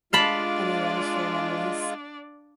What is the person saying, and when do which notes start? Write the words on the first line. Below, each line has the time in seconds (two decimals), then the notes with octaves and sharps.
anyone to share memories.
0.13 G#3 D4 F4 D5 F5 A5 B5